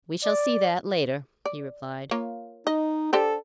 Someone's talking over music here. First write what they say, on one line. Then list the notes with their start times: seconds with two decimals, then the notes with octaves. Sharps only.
"We shall see that, later," he replied.
0.24 D5
1.45 D5
2.11 A#3 F4 C#5
2.67 D#4 D#5
3.13 D4 G4 A4 C5